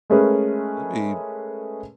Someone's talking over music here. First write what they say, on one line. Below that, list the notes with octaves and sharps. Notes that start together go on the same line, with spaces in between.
It'd be
G#3 A3 C#4 G#4 A#4 B4